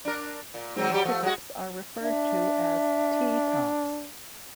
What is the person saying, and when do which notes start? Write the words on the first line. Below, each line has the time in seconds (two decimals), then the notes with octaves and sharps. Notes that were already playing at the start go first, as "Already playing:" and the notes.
These pickups are referred to as "T-tops".
0.05 D4 A#4
0.54 A#2
0.77 D#3 F#3 C4
0.91 F#3 G3 G4
1.05 F3 A3
1.23 G#3 F#4
2.03 D4 E5